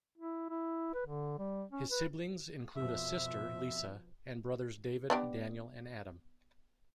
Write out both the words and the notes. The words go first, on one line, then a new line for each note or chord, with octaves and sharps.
His siblings include a sister, Lisa, and brothers David, Daniel, and Adam.
E4
E4
B4
D3
G3
C#4
B4
F2 B2 F3 E5
B3 D4 G4